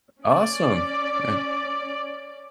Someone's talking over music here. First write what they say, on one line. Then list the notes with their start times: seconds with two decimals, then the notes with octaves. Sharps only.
Awesome. Eh.
0.23 C#4 D5